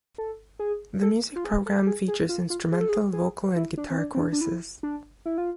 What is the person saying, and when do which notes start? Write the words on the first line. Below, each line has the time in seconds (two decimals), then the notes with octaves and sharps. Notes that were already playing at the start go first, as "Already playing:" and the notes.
The music program features instrumental, vocal and guitar courses.
0.18 A4
0.59 G#4
1.02 A4
1.36 F4
1.45 G#4
1.66 A4
1.87 G#4
2.08 G#4
2.29 F4
2.50 F4
2.72 G#4
2.81 A4
2.89 G#4
3.13 G#4
3.56 E4
3.78 D4
3.90 C4
3.98 D4
4.15 C4
4.19 D4
4.32 D4
4.41 E4
4.83 D4
5.26 E4
5.38 F4